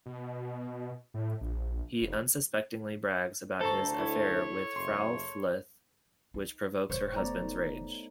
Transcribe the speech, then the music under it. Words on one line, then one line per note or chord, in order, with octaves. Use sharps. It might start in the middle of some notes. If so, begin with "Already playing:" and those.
He unsuspectingly brags about his affair with Frau Fluth, which provokes her husband's rage.
B2
A2
A#1
F1
D2 A4 C5 A#5 C#6
E4 C#5
F#1 C6
D#4
E1 D#3 C5 C#5
A3 B3 D5 A#5
D#4